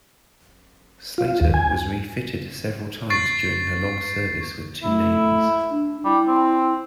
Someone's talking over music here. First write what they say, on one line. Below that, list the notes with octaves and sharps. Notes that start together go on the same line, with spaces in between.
"Slater" was refitted several times during her long service with two navies.
F4
D#2
G#5
C#6 A6 C7
A3 E4
D4
G3 E4
C4